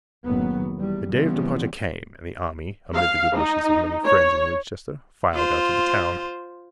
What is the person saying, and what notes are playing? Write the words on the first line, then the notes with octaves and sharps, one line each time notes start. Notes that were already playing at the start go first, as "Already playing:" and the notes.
The day of departure came and the army, amid the good wishes of many friends in Winchester, filed out of the town.
F#1 A2 D#3 F#3 B3
E2 G3
C#3 E3 F3 G3 B3 C4
F5
D#4
C#5
F4 C5